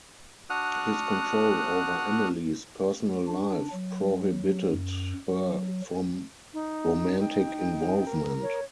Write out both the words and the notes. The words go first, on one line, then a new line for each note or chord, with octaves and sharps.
His control over Emily's personal life prohibited her from romantic involvement.
D4 F#4 F#5 D#6 F6 F#6
D4
F#3
F#2
F#3
D#4
D#4 G5
A#4
C#5